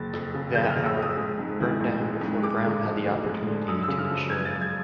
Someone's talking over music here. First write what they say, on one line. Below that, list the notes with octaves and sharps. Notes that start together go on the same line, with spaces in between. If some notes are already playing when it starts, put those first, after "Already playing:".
That, however, burned down before Brown had the opportunity to insure it.
Already playing: F#1 A6
F2
C#3
F#1 G6
F6
F#1
E6
F2
D#6
G#3
G#2
E3
A1
G#3
G#2
G#3 D6
D3
F3
D2
G#3
D3
F#2 D#6
C#3 E6
F6
F3
F#2 G#6
A6
F#2
G#6